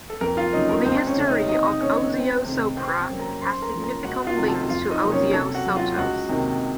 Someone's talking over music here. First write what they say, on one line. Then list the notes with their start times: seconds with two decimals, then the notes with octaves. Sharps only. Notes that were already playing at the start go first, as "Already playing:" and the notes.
The history of Osio Sopra has significant links to Osio Sotto's.
0.10 A4
0.21 F2 A#4
0.37 F4 F5
0.53 C#3 F#3 A#3 D#4 D#5
0.69 A#4
0.85 C#2 C4 C5
1.07 C#4 C#5
1.18 C#3 A3
1.27 D#4 D#5
1.49 C3 D#4 D#5
1.65 D#4 D#5
1.81 D#3 A3 C#4 C#5
1.97 C#4 C#5
2.13 C#2 C4 C5
2.45 C3 D#3 A3 C4
2.77 C3 C4 C5
2.98 C4 C5
3.09 F#3 A#3 C#4
3.19 A#4 A#5
3.41 F#2 C5 C6
3.62 A#4 A#5
3.74 F3 A#3 C#4
3.84 A#4 A#5
4.05 C#2 F#4 F#5
4.27 F4 F5
4.37 C3 D#3 A3 C4
4.48 A4 A5
4.69 F2 F4 F5
4.90 D#4 D#5
5.01 C3 F#3 A#3
5.12 C#4 C#5
5.33 C3 A4 A5
5.55 F#4 F#5
5.66 F#3 C4
5.76 F4 F5
5.97 C#2 F#4 F#5
6.29 C3 D#3 A#3